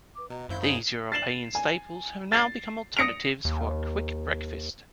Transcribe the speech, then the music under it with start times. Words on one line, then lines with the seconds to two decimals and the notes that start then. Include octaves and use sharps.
These European staples have now become alternatives for a quick breakfast.
0.17 B4 D6
0.30 B2 F#4 D#5 A#5
0.49 G#1 F#2 E4 C5 F5 B5 G6
0.62 D#4 G#4
1.12 A6 C7 E7 F#7
1.55 G#5
2.32 A6 C7
2.97 D#6 A#6 C#7 D7 F7
3.45 D#2